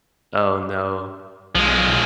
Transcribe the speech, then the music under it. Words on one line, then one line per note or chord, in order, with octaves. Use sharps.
Oh, no.
B1 F3 G#3